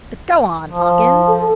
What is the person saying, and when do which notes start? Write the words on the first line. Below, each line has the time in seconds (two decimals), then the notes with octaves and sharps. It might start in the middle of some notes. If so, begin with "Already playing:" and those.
"But go on, Hawkins."
0.67 F3
1.27 A4